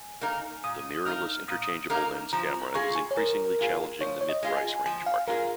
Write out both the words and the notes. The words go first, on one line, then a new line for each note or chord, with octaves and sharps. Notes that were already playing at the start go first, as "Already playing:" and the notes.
The mirrorless interchangeable-lens camera is increasingly challenging the mid price range market.
Already playing: G#5
A#3 D#4 A#4
A#2 D#6
A#3 D#4 A#4 F6
A#2 D#6
A#3 D#4 A#4
F3 A#5
A#5
G#3 F4 G#4 C#6
G#5
C#5
F3 A#4
G#3 F4 G#4
F3 C#5
C#5
D#5
G#3 F4 G#4
G#5
F3 G#5
F5
G#3 F4 G#4 A#4